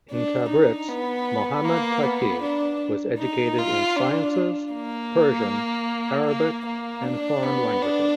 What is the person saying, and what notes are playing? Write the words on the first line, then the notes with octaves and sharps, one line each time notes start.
In Tabriz Mohammad Taqi was educated in sciences, Persian, Arabic and foreign languages.
D4
D#4
B3
A#3
B3
D4
D#4
F4
D4
A#3
A#3
A#3
D4
B3
D4